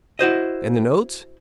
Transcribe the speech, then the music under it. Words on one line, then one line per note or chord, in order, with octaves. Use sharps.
"And the notes?"
E4 F#4 C5 D#5